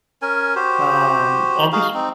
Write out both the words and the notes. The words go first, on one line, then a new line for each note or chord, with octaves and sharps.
um August
C#4 A#4 G#5
F#4 G4 C5
D#4 F#4 G#4 F5
C4 D#4